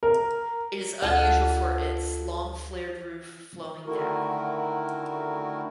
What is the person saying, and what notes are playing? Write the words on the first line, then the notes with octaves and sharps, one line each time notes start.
It is unusual for its "long flared roof flowing down".
A#4
D2 F4 A4 F#5
D3 D#3 A3 E4 F#4 A#4